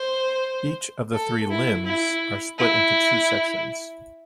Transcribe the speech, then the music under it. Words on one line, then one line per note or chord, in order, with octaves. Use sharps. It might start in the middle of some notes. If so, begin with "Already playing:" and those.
Each of the three "limbs" are split into two sections.
Already playing: C5
A4
E4
E4
E4